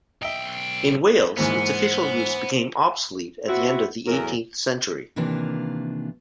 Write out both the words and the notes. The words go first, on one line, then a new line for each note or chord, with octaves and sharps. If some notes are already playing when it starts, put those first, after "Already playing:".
In Wales, its official use became obsolete at the end of the eighteenth century.
B1 D#5 E5 G5
G#2 E3 A#3 B3 C5
B3 C4 E4 F#4
E2 A2 F#3 A#4
C3 D#3 E3 A#3 D4 F4